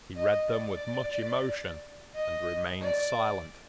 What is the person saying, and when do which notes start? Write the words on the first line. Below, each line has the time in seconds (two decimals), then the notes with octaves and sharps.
He read them with much emotion, and remained silent.
0.16 D#5
0.49 D5
2.15 D#5
2.81 D5